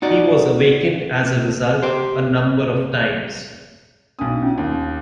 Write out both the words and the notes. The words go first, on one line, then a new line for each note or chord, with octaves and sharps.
He was awakened as a result a number of times.
D#4 F#4 D5
G4 C5
B1 C#4 D4 D#6
C#4 F4 F5
D#2